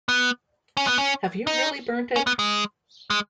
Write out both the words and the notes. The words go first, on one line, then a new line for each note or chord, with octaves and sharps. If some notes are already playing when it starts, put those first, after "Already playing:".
Have you really burnt it?
B3
C#4
B3
C#4
D#4
C#4
B3
G#3
G#3